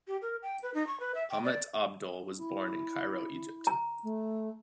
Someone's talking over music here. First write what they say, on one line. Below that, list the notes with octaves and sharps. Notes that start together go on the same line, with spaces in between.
Ahmet Abdol was born in Cairo, Egypt.
G4
A#4
G5
B4
D#4
C#6
B4
E5
G5
D5
E4
A#5
A3